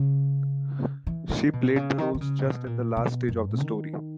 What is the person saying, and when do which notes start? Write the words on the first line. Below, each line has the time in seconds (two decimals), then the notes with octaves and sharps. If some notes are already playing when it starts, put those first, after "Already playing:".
She played the roles just in the last stage of the story.
Already playing: C#3
1.07 E3
1.29 D#3
1.53 B2
1.76 C#3
1.98 D#3
2.15 D#3
2.21 C#3
2.45 B2
2.66 A#2
2.97 B2
3.28 F#2
3.59 D#3